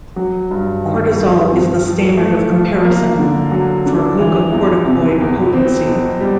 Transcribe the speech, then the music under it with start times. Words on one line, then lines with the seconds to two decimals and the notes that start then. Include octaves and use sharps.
Cortisol is the standard of comparison for glucocorticoid potency.
0.16 F#3
0.51 G2
0.84 D#3
1.17 G2
1.51 C4
1.84 F3
2.17 A3
2.52 F4
2.85 A#3
3.19 D3
3.52 F#3
3.86 D4
4.19 E3
4.53 E2
4.87 C3
5.20 E2
5.53 C4
5.87 B2
6.21 G3